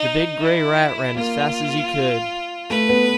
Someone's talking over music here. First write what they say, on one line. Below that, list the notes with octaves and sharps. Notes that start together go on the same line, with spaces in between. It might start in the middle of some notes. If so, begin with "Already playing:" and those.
The big grey rat ran as fast as he could.
Already playing: D#4
E4
A#3 F4
A3 B4
B3